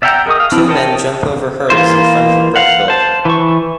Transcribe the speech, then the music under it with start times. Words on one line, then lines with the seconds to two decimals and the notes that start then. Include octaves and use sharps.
Two men jump over hurdles in front of a brick building.
0.02 D5 E5 F#5 G5 A#5
0.26 G#4 A#4 D#5 C#6 D#6
0.40 F5
0.52 E3 C4 D4 E4
0.68 A#4 C#5 D#5 G5 A5
1.70 E3 A#3 F4 C5
2.56 F5 F#5
2.88 C5 A5
3.25 E3 C#6